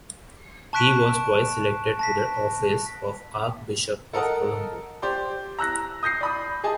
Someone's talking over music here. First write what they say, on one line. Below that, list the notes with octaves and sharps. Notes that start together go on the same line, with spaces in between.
He was twice elected to the office of Archbishop of Colombo.
A5 C#6 F#6 B6 D7 E7
A5 A#6 B6
A4 A#4 D#5 F#5 A5
G4 C5 D5 C6
A#5 E6 F#6 A#6
D#6 G6 A#6 C7
D5 B5 D#6
G#4 D#5 G#5 A5